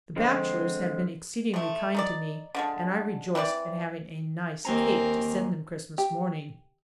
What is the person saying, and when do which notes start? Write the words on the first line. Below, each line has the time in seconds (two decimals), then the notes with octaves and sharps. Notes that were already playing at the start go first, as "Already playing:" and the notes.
The bachelors have been exceedingly kind to me, and I rejoiced at having a nice cake to send them Christmas morning.
0.16 D3 F3 G#3 C4
1.54 F3 A3
1.95 D#4 A4 D5
2.55 D3 F3 G#3
3.35 E3 C4 A#4 D5
4.65 D#2 C4 A#4 G#5 A#5
5.98 G4